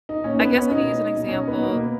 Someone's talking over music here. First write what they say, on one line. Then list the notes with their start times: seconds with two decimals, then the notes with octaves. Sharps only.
I guess I could use an example.
0.09 D#4
0.24 A#2 C#4
0.39 B3
0.55 C#4
0.70 B2 D#4
1.16 B2 D#4
1.28 C#4
1.32 D#4
1.48 B3
1.62 B2 A#3
1.78 B3